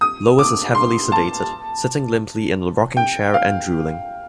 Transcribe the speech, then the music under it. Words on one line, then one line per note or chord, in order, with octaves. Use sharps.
Lois is heavily sedated, sitting limply in a rocking chair and drooling.
D#6
D6
C6
A5
G5
F5